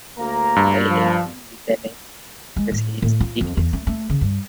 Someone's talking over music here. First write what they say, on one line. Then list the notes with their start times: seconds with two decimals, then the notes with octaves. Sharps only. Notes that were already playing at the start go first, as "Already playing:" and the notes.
I hate him with an H, because he is Hideous.
0.18 D2 A#3 A#5
0.56 G2
0.89 F3
2.57 G#3
2.72 A2
3.02 A2
3.20 F4
3.41 F2
3.57 E2
3.73 A3
3.87 A3
4.10 C#3
4.21 G2